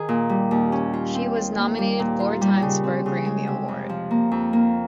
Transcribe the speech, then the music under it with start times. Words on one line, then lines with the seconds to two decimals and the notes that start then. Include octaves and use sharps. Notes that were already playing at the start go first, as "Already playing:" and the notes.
She was nominated four times for a Grammy Award.
Already playing: D#3 G#4
0.09 A#2
0.29 G3
0.51 D#2
0.72 C#4
0.93 F4
1.15 C4
1.36 F4
1.57 A#3
1.78 G3
2.00 A#2
2.20 F4
2.41 G3
2.62 C#3
2.84 C4
3.06 C#3
3.26 G#3
3.47 C3
3.68 F2
3.89 F3
4.11 A#3
4.32 F2
4.53 A#3